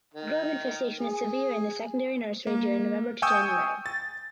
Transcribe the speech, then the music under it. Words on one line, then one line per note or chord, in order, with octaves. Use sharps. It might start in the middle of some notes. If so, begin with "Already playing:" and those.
Grub infestation is severe in the secondary nursery during November to January.
D#3
G#4
A#3
G5 G#5 C#6 D#6 E6 G6
A6